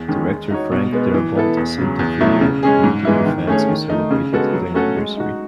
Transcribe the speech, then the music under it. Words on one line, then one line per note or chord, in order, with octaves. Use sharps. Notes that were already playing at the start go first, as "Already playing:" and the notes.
Director Frank Darabont sent a video greeting the fans who celebrated the anniversary.
Already playing: E2
D#3 G#3 C#4
G#3
D#4 F#4 C#5
B2
G#3 B3
E3
B3 E4 A4
E2
C#3 F#3
E2
B2 F#3 A3 E4
C#3
G#3 C#4 G#4
G#2
E3 G#3 B3 E4
D#3
A3 C#4 G#4 C#5
D#3
A3 D#4
C#3
G#3 B3 F#4 A4
F#3
A3 C#4 F#4 A4
G#3
D#4 F#4